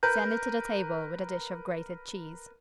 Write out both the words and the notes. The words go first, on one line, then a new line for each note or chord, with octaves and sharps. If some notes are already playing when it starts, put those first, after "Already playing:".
Send it to the table with a dish of grated cheese.
A#4 B4 G6